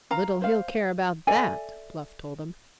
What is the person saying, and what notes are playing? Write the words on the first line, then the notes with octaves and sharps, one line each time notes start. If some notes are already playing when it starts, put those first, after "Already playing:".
"Little he'll care about that," Bluff told him.
F5 A#5
C5 F5
A4 D5 E5 G#5